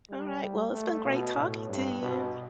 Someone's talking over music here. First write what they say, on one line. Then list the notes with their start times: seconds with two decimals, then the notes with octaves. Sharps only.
Alright. Well, it's been great talking to you.
0.10 G3
0.73 A3
1.05 B2
1.37 A2
1.69 G2
2.02 B2